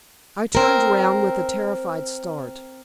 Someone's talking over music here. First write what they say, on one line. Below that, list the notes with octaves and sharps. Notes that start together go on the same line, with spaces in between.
I turned round with a terrified start.
C4 A#4